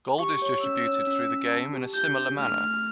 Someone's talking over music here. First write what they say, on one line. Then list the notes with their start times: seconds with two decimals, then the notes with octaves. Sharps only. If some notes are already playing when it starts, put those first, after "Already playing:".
Gold is distributed through the game in a similar manner.
0.20 G4 C#6
0.42 C#5
0.63 C#4 E6
0.86 C#5
1.07 C#4
1.29 C#4
1.52 A5
1.73 G4
1.95 G4 G6
2.18 D4
2.39 A3 F6
2.61 A3